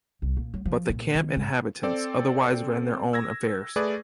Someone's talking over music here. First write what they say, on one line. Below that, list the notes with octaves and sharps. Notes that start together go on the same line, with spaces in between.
But the camp inhabitants otherwise ran their own affairs.
C2
A#2
F#3
F3
A#2
D#3
G#2
C4 A4 D5
E6 G#6 A#6
A3 G#4 B4 D5